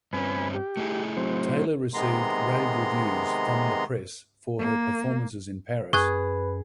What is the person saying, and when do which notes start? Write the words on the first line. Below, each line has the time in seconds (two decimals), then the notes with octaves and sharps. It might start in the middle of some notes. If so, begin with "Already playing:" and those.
Taylor received rave reviews from the press for her performances in Paris.
0.13 G2 C4 C#4 B4 G#5 B5
0.54 G4
0.77 A3 E4 G#4
1.17 F#3 C4 C5
1.94 C3 D#3 G#3 B3 A#5 C6
4.59 A#3
5.93 F#2 G#4 B4 C#6 F#6 G#6